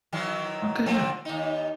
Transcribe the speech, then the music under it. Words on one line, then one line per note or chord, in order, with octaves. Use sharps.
Okay, yeah.
D#3 E3 F#3
F3 C4 D4
D#2 D#4